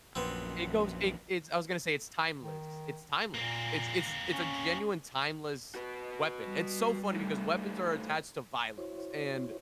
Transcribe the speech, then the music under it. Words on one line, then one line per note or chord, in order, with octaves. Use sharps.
it goes it it's I was gonna say it's timeless, it's timeless. It's it's it's a genuine timeless weapon. It's so funny because weapons are attached to violence, and,
A#1 F#2 B3 C4
D#3
A#2 A#3 C4
C#4
F#4 B4
G3
D#3 A3
E4 F#4 C5 C#5